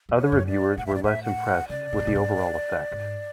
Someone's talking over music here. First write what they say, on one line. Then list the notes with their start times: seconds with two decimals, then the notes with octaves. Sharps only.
Other reviewers were less impressed with the overall effect.
0.09 E2
0.16 C#5
0.32 F#2
0.47 D5
0.77 A2 F#5
0.86 E5
0.91 G#2 D5
1.04 A2 E5
1.23 F#5
1.69 C#3 D5
1.93 B2
2.00 A2
2.07 B2
2.15 G#2
2.92 G#2